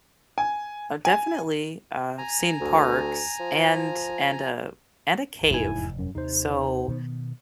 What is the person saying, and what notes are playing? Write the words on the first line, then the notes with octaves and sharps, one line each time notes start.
I've definitely, uh, seen parks and and a and a cave, so,
G#5
G#5
G#5 A#5
D2
F3
F1 E2 G#2 E4 G#5
F#2
D#2 C3 D#4 C5
B2 D#3 B3